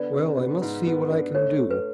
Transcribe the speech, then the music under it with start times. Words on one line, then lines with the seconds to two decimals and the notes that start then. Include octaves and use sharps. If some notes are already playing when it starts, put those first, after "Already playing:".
Well, I must see what I can do.
Already playing: D3 B3 D5
0.13 C#3
0.38 B3
0.62 G#2
0.86 B3
1.10 D4
1.35 A3 C#5
1.59 A3
1.71 B4